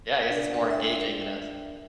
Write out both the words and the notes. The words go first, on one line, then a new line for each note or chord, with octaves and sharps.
Yeah, I guess it's more engaging, you know, so
D4 A#4 D5
E5 G5